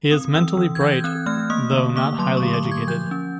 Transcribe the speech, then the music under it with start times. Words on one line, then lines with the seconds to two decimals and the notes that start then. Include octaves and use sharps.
He is mentally bright, though not highly educated.
0.11 C4 D#6
0.35 E3 E6
0.57 E3
0.75 G#6
0.81 E3 G6
1.04 C4 F#6
1.26 A3 F6
1.50 A#3 D#6
1.73 D3
1.96 A#3 D6
2.19 F#3 C6
2.37 C#6
2.42 D3
2.48 C#6
2.53 D6
2.65 D3
2.72 G#6
2.88 F3 G6
3.11 C#4